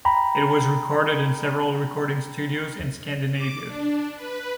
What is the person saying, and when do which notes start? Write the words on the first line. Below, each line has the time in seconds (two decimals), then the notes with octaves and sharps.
It was recorded in several recording studios in Scandinavia.
0.05 G5 A#5 B5
3.33 D6
3.65 D4
4.16 B4